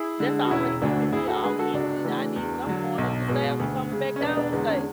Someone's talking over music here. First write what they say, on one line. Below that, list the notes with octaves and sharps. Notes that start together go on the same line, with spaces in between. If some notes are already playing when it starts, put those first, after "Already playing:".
That's already giving me all the energy that I need when I'm going up the stairs and coming back down the stairs.
Already playing: E4 G#4
D3 G#3
F#4
E1 C#4 E4
D2 D3 A3 D4 F#4
D2 E4 G#4
F#4 A4
D3 G#3 G#4 B4
F#4 A4
C#2 D4 F#4
C#3 E3 A3
E2
D3 F#3
B1
B2 G#3
D2
C#3 G#3
C#4
E1 B3 D4
B3 D4
E2 D3 G#3 B3
C#4